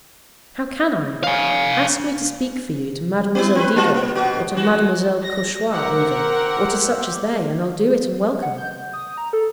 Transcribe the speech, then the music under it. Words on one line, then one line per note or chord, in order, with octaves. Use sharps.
How can I? Ask me to speak for you to Mademoiselle Didot, or to Mademoiselle Cauchois even, or to such as they, and I'll do it, and welcome.
F5 G#5
B3 E4
C4 B4
G3 F4 F#4
A#3
B2 F#4
E3 F#4
A#6
G4 A#4 C5 F#5 E6
F#5
G6
D#6
A#5
A4